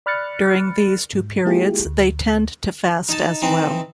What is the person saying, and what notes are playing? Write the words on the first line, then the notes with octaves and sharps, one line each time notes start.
During these two periods, they tend to fast as well.
D5 B5 F6 F#6 A6 C#7
G#2
G#3 A#3 E4 F4 G4 G#4
D2
D#4 A5
E3 C4 D#4